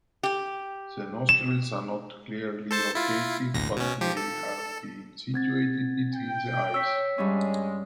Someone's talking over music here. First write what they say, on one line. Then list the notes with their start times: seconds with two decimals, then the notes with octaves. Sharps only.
The nostrils are not clearly located, but may have been situated between the eyes.
0.23 G4
1.29 E7
2.71 A4 C5 A5
2.95 E4 F4
3.54 A1 D2 A#6
3.77 B2 C#4
4.01 F3 G4
4.17 A4
5.34 C4 G#6 A6
6.15 G5
6.74 C#5 E6 B6
7.18 G2 G3 G#3 C#4